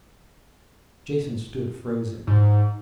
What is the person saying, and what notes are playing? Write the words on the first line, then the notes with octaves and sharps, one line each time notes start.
Jason stood, frozen.
G#2